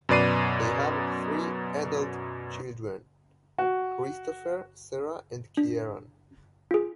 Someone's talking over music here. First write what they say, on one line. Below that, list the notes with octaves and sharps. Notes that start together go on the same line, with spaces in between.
They have three adult children - Kristopher, Sara, and Kieran.
F#2 B2 B4 D5 C7 D#7
F#4
D4
F4 G#4